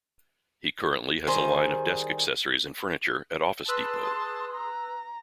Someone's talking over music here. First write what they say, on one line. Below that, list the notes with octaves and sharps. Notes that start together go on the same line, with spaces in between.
He currently has a line of desk accessories and furniture at Office Depot.
D#3 G3 G#4 C5
G#4 B4 A5 C6 D#6 E6 F#6
A#5